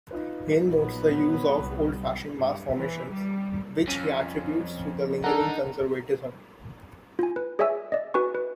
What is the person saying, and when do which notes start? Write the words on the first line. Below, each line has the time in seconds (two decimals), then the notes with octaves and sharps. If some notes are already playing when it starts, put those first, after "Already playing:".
Hale notes the use of old-fashioned mass formations, which he attributes to lingering conservatism.
0.11 D#4 F4 B4
0.65 A#1 F#3 B3
1.58 C2 G3
2.40 G2
2.77 E3
3.10 G3
3.88 F2 C#4 D#7
5.24 D4 D#4 A4 A#4 F#5
7.19 F4 G#5
7.36 B4
7.59 G#4 C#5 D5 E5 G#5 E6
7.92 D5 D#5
8.14 F#4 B4 G#5 C#6
8.35 B4